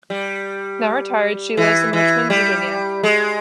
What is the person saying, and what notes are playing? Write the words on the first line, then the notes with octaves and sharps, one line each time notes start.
Now retired, she lives in Richmond, Virginia.
G3
E3
E3
G3
G#3